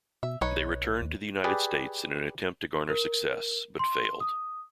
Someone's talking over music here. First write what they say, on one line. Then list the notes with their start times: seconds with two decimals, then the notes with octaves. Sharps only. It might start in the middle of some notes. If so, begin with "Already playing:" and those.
They returned to the United States in an attempt to garner success, but failed.
0.23 B2 E5
0.41 B1 D#4 B4 C#5
1.02 D#2
1.44 G4 G#4 B4 D5 G#5
2.90 A#4
3.79 C6
4.20 D#6